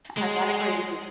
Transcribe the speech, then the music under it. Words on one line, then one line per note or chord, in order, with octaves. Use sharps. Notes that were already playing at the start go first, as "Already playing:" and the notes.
I'm not a crazy
G#3